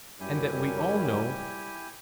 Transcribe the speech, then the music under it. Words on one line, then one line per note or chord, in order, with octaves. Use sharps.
And that we all know.
F#2 G3 E4 G4 G#5